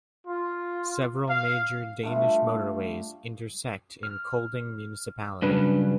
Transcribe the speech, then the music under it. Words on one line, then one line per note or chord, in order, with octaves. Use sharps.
Several major Danish motorways intersect in Kolding municipality.
F4
F5
G2 A3 F4
F6
G2 C#3 F#3 D4 B4